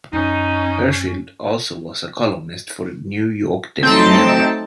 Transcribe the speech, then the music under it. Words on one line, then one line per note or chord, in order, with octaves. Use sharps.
Hershfield also was a columnist for the "New York Daily Mirror".
F#2 C#4 D#4
F#3 A3 C4 D#4 G5 A5